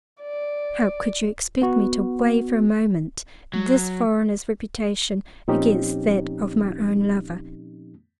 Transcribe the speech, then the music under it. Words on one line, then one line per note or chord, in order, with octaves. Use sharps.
How could you expect me to weigh for a moment this foreigner's reputation against that of my own lover?
D5
B3 F#4
F#3
A#2 F3 C4 C#4 D#4 G4